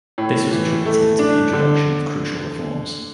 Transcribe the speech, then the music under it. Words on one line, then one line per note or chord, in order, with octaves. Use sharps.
This was attributed to the introduction of crucial reforms.
A2
E3
A3
D4
D3